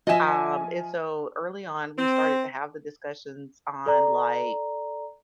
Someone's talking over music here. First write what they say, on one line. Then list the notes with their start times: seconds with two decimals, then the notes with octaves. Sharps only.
um, and so early on, we started to have the discussions on like
0.07 F3 D#5 E5 G#5
1.98 C4
3.86 A4 D5 A#5